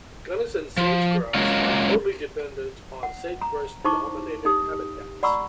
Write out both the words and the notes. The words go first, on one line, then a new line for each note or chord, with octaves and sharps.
Gunnison sage-grouse are totally dependent on sagebrush-dominated habitats.
F3
F#3 G#3 A#3 C#4 F4
F#5
A#5
D#4 E4 C5 A5 C#6 D6
D#4 G4 D#6
D5 F#5 A#5 B5 C#6 E6